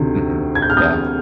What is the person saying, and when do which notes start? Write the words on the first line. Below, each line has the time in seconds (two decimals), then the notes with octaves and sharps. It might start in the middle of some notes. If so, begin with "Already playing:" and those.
Mhm. Yeah.
Already playing: D2 C3 D#3
0.55 G#6
0.62 G6
0.70 F6
0.77 D#6 G6